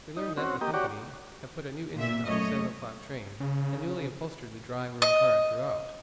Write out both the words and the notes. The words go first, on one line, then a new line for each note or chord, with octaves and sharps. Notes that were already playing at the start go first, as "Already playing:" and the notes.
We learn that the company have put a new engine on the seven o'clock train, and newly upholstered the drawing-room car throughout.
D#4
C4 C#4 F#4
A#3 G4 D#5
F#4 G4 C#5 D5
A#2 E5
F#2 A3 C#5 D#5
C#3
D#5